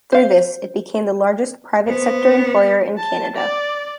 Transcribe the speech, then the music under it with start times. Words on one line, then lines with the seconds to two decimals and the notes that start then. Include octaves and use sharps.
Through this, it became the largest private sector employer in Canada.
0.12 C5 F5
1.88 B3 C5
2.98 A5
3.36 D5